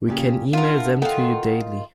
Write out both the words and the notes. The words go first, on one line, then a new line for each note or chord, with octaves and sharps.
We can email them to you daily.
A#2 C#3 G4
D4 E4 F4 A#4 F#5
D#3 F4 A4 F#5 G5